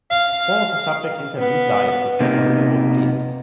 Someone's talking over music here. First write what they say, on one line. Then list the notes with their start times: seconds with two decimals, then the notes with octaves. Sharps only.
Four of the subjects interviewed died before the movie was released.
0.11 F5
1.38 B3
2.20 C3 A#3 B3 D#4